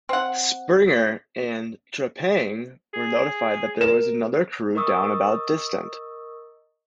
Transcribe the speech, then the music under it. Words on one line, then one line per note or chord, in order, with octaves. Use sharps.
"Springer" and "Trepang" were notified that there was another crew down about distant.
C4 F#5
G#4
A#4 E7
A#4 D#5 C#6 D#6 E6